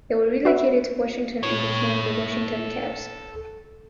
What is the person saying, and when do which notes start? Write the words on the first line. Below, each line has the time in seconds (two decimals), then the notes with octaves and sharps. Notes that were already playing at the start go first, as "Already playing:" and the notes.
They were relocated to Washington and became the Washington Caps.
0.45 F#4 B4 E5
1.43 A4 C#5